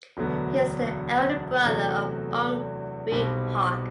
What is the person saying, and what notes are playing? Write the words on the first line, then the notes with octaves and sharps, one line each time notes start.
He is the elder brother of Ong Ewe Hock.
E1 D2 D3 F#3 B3
E2 C3 F#3 A3
B1 B2 G3 C4